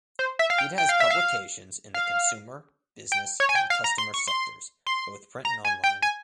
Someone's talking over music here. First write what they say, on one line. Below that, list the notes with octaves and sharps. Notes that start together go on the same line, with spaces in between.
It has publications in the consumer, business and customer sectors, both print and online.
C5
E5
F5
G5
G5
F5
E5
F5
F5
G5
C#5
G#5
G5
F5
A#5
C6
C#6
C6
C6
A#5
G#5
G5
G#5